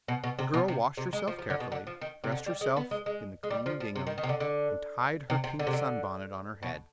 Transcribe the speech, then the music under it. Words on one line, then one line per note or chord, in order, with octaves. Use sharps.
The girl washed herself carefully, dressed herself in the clean gingham, and tied her pink sunbonnet on her head.
B2
B2
C3
B2
C3
C3
G#3
F3
F3
D3
B2
D3
F3
D#3
C3
D3
G3
G#3
B3
G#3
G#3
G#3
G3
F3
F3
C3
D#3
D#3
C3
D3
D3
C3
C3
D3
C3
D3
B2